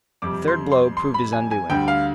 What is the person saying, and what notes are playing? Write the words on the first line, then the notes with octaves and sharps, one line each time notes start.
The third blow proved his undoing.
F2 C3 G3 D6
C6
C6
C6
B5
G#5
G#5
D2 D3 G3 G5
F5